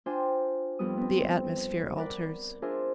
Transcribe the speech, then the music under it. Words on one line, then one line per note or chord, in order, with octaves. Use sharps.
The atmosphere alters.
D4 F4 C5 G5 G#5
F2 F3 G3 B3 D#6
B3 C4
A#4 D5 F#5 B5
D4 F4 G#4 A#4 C5 E5